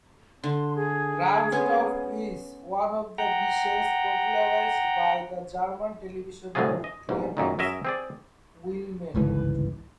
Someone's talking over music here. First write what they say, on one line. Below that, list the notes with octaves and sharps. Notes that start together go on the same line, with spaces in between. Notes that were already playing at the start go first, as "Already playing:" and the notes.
Rumtopf is one of the dishes popularised by the German television cook Clemens Wilmenrod.
D3 C6
G#4
G#3 B3 C#4
F#5 G5 A#5
C2 A2 D3 F#3 F4 G#4
D#5
A#1 E2 G#2
F#2 A#2 D#3
F#2 G#4 A#4 D#5 E5
C4 G#4 D5
G1 C#2 G#2 E3